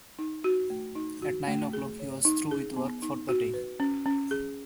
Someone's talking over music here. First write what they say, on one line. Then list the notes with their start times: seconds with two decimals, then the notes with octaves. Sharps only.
At nine o'clock he was through with work for the day.
0.19 D#4
0.44 F#4
0.70 A3
0.95 D#4
1.22 F#4
1.48 A3
1.73 G#4
1.99 C#5
2.25 D#4
2.51 G#4
2.76 B3
3.02 D#4
3.29 F#4
3.54 B4
3.80 C#4
4.05 C#4
4.31 G#4